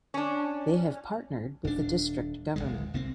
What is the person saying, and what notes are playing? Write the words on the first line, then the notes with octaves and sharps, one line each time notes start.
They have partnered with the District government.
C#4 D4
D#1 D4
D1 G#1 G#3
C2 A#3 C4